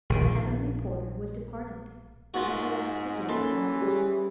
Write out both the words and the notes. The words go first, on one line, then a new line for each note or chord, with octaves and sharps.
The heavenly porter was departed, but had left the door wide.
A#1 D#3
G#2 F4 F#4
E3 A#3 C#4 A4 C6
G3 G4 G#4